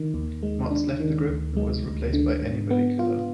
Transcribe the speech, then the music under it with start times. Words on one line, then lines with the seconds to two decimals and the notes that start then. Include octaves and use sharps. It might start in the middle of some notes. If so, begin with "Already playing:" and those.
Marz left the group, and was replaced by Anybody Killa.
Already playing: D#3
0.14 D#2
0.43 G#3
0.71 D4
1.00 D#3
1.29 D2
1.57 G#3
1.85 D2
2.13 D3
2.42 G#2
2.70 B3
2.99 F4